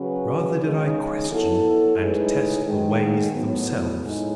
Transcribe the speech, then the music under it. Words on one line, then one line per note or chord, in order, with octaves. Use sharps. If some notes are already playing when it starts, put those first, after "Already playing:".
Rather did I question and test the ways themselves.
Already playing: C#3 F#3 C#4 G#4 B4
C#3 G#3 D#4 G#4
F#3 B3 E4 A4
A2 G#3 D#4 G#4 B4
G#2 D#3 G#3
A2 F#3 B3
A2 G#3 D#4